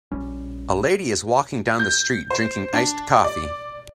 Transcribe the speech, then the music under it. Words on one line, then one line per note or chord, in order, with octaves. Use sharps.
A lady is walking down the street drinking iced coffee.
A#1 G3 C#4
G6
C5
D4
D5